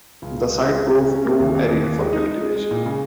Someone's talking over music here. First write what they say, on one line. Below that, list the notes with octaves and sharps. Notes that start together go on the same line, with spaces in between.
The site proved too arid for cultivation.
C#2
C#2
G#3
C#2
C#2
C#3
C#4
A#3
D#2
D#2
D#2
D#2
G#3
D#4
D#4
G#3
G#3
A#2
C#3